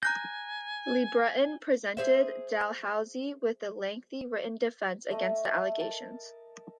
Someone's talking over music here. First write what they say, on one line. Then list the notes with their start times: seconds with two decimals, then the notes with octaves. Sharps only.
LeBreton presented Dalhousie with a lengthy written defence against the allegations.
0.03 G#5 A#5 F#6 G6 A#6
1.97 G#4 C5 E5
5.11 A3 D#5 E5
5.78 A#4 A5